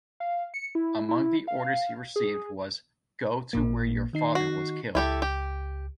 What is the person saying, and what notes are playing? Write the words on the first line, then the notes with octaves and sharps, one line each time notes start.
Among the orders he received was "go to where your father was killed".
F5
C#7
E4
E4
F5
G#4
A1 A#2 A#3
D#3 D#4 C7
F#4
C#2 E4 G4 A4
G4